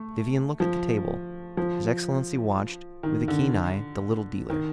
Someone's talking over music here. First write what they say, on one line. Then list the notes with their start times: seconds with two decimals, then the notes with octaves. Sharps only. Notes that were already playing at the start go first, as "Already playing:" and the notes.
Vivian looked at the table; his excellency watched, with a keen eye, the little dealer.
Already playing: A3
0.60 F3
1.57 F3
3.03 D#3
3.28 D3
4.50 D#3